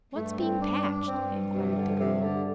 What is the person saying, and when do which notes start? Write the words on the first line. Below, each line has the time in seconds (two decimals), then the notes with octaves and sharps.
"What's being patched?" inquired the girl.
0.16 G2 A3
0.39 C4
0.62 D4
0.85 D4
1.08 G2 C4
1.54 C3
1.78 D3
1.91 D3
2.00 C3
2.23 D3